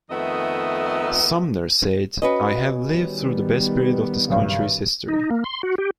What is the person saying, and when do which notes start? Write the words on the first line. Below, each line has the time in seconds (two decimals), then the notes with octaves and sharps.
Sumner said, I have lived through the best period of this country's history.
0.10 F2 D#3 A3 B3 D#5 E5
2.22 C#4 F#4 B4 D#5
2.88 D#3 G3 B3
4.28 F#1 B1 G2
5.09 D#4
5.31 A#3
5.44 C6
5.63 F#4
5.78 G4